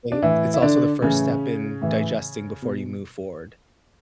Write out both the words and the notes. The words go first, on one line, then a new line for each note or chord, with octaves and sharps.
i it's also the first step in digesting before you move forward.
D4
A2 E3 E4
E4
D3 D4
A2 C#3 E3 C#4
A2 E3
B2